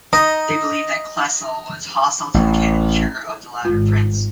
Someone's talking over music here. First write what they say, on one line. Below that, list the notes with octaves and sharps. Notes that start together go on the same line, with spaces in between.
They believed that Klesl was hostile to the candidature of the latter prince.
D#4 D#5
A1
G#1 F4